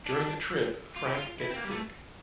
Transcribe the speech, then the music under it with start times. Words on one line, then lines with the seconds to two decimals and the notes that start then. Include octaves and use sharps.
During the trip, Frank gets sick.
0.06 D4
0.96 F4
1.05 E4
1.15 F4
1.40 E4
1.50 C4
1.56 A#3
1.65 G3
1.71 A3